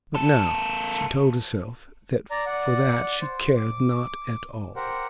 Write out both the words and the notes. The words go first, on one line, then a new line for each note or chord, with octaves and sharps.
But now she told herself that for that she cared not at all.
A#3 A4
D5 A#5
D5 F#5
C5
D6
G4 A#4 C5 F#5